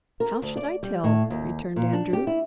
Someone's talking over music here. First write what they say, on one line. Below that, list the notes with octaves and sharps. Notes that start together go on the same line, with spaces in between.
"How should I tell?" returned Andrew.
A#4
D2
D5
G3
A2
D#2
A#2
D4
G4
E4